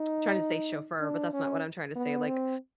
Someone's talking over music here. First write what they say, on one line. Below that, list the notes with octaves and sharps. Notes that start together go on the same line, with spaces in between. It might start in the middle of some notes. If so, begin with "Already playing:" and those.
I'm trying to say chauffeur, but that's not what I'm trying to say, like,
Already playing: D#4
D4
C#4
B3
C4